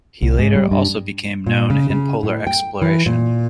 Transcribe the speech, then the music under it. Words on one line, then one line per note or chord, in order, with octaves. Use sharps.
He later also became known in Polar exploration.
C2
G#2
G3
G2
A#2
C#3
C#3
A2
G5
E3
A#2